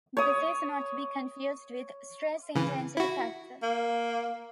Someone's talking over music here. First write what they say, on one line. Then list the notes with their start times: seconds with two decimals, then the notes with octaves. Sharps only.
This is not to be confused with 'Stress Intensity Factor'.
0.17 C#5 D#6
2.55 C#3 E3
2.97 E4 F#4
3.62 A#3